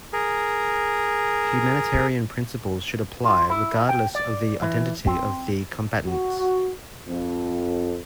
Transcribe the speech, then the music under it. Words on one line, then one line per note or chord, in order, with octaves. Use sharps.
Humanitarian principles should apply regardless of the identity of the combatants.
G#4 A#4
F4
E4
G5
D5
E3
C4
F#4
F2